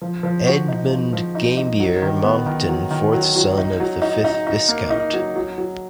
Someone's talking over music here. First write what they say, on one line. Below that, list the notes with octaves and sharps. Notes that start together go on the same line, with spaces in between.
Edmund Gambier Monckton, fourth son of the fifth Viscount.
F3
F3
F#4
D#4
F3
F3
D#4
D#4
F#3
D#3
B3
D#3
F#3
D#3
F#3
F#3
D#4
F#3
D#4
D#4
D#4
A#3
D#4
F#3
F#3
F#3